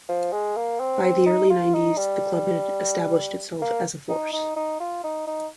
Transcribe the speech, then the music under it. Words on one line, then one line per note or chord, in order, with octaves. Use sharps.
By the early nineties the club had established itself as a force.
F3
G#3
A#3
C4
C4
D#4
F4
D#4
G3
A#3
D#4
D#4
D#4
F4
D#4
D#4